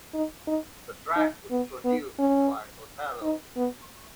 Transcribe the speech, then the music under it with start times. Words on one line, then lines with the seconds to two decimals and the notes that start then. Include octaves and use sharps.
The track was produced by Othello.
0.14 D#4
0.47 D#4
1.16 D#4
1.51 B3
1.85 B3
2.19 C#4
3.22 D#4
3.57 B3